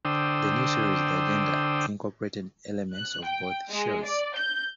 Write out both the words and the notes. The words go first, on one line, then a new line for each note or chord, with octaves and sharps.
The new series "The Agenda" incorporated elements of both shows.
D3 D4 C5 G5 D#6 E6
F#6
G5
G#3
D5
G6